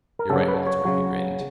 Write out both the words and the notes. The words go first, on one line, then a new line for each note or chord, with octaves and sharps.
"You're right, Walter," he grinned.
A#4
C#3 F#3 A4
B4
C#5
C#3 F#3